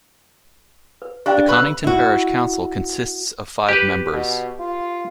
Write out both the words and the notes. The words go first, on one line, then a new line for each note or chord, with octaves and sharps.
The Conington parish council consists of five members.
B4
D4 G4 F5 G5
B4 C#6 E6
E4 F#4
G4 B4
B2
F4